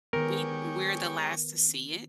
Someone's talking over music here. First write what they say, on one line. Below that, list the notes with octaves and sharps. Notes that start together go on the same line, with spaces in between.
we we're the last to see it?
D#3 G#3 B3 G4 A#4 C#5